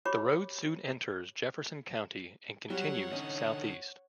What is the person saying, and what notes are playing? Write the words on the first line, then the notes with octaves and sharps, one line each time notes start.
The road soon enters Jefferson County and continues southeast.
F#4 G4 C#5 B5 C#6 D6
F#3 G3 C#5 F#5
D3 C#4 D#4